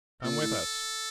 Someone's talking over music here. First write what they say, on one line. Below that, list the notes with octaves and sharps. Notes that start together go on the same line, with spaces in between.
"Come with us!"
A#2 A4
A2